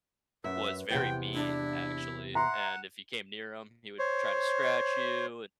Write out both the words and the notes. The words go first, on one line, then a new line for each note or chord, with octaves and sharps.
was very mean, actually, and if you came near him, he would t try to scratch you, and,
F#2 B4 E5
E2 C3 G5
D4 E4
E5 F#5 A#5 C6
C5 C#5